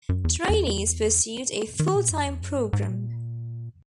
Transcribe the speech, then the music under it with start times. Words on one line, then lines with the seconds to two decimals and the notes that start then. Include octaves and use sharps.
Trainees pursued a full-time programme.
0.09 F#2
0.25 E2
0.49 E2
1.80 D#3
1.96 A#2
2.11 F#2
2.27 E2
2.42 F#2
2.58 G#2
2.73 G#2
2.89 A#2